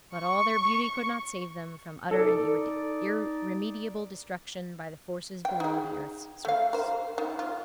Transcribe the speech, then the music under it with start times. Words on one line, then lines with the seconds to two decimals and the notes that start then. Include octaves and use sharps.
But all their beauty could not save them from utter and irremediable destruction by the forces below the earth's surface.
0.14 C#6
2.11 D#4 A4 D5
5.45 G5
5.60 D#4 G#4
6.45 A3 F5
6.73 A#4 C5
7.18 D#3
7.39 F4